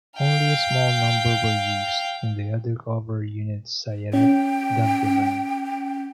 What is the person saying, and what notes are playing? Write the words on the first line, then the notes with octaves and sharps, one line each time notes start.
Only a small number were used, in the undercover unit Sayeret Duvdevan.
F5 G5
C#4 G5